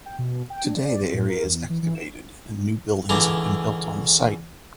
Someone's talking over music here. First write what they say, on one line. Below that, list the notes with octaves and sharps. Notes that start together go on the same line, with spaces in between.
Today, the area is excavated and new buildings have been built on the site.
G5
B2
G5
D4
D5
C4
A2
A#4
E2
E3
E3
E7
C#2 D3 E3 D4 A#5